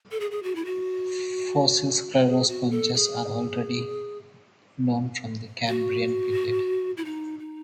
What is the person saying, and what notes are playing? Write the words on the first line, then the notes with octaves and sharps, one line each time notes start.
Fossil sclerosponges are already known from the Cambrian period.
A4
G#4
G#4
F#4
E4
F#4
G#4
F#4
A4
G#4
F#4
E4
D#4
D#4